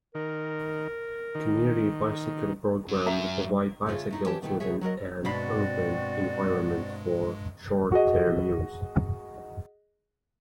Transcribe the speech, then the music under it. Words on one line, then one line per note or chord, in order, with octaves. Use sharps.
Community bicycle programs provide bicycles within an urban environment for short term use.
D#3 A#4
D#3
F#2
E5 A#5
C#3 A3 F4 G#4 C#5
A3 D#4 E4
E3 G4 C#5 A5
B2 D#3 A3 E4 A4 G5
D2 B2 E3 G#4 C#5 E5
F#3 F#4 A#4 D#5
G2 B2 G#3 C4 F#4 D5 B5
F#4 G#4 D#5